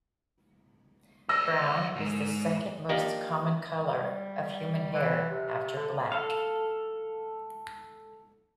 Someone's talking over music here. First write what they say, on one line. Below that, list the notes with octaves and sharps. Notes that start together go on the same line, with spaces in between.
Brown is the second most common color of human hair, after black.
D5 E5 E6 A#6
D2 G#2
F3 A#3 D4 D#4 G4 D5
G3
E3
C3
D3
A4 F5